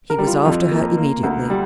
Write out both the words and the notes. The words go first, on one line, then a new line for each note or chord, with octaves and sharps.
He was after her immediately.
A#4
G3
F4
F2 F4
A#3
A#3
D2
G3